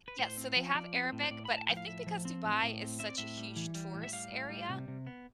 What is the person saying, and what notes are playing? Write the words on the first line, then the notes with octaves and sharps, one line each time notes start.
Yes, so they have Arabic, but I think because Dubai is such a huge tourist area,
B4
A2 C5
C4
F3
F3 D5
C4
A2
C5
A2 D5
A2 B5
A5
F3 G5
F5
A2 E5
F3
C4
A2
A2
C4
C4 E5
D5
A2 E5
G3
E3
G3
A2
E5
G3 F5
A2
G3
C3
C3
B3